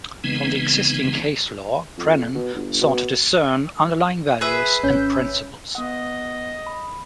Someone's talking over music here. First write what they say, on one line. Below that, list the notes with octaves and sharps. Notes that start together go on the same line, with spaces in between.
From the existing case law, Brennan sought to discern underlying values and principles.
C#3 E3 G#3 B3 C4 D#4
F2
B2
G1
B2
G#4 B4 E5
G#1 C#4 G6
B3 D#5 F#5
B5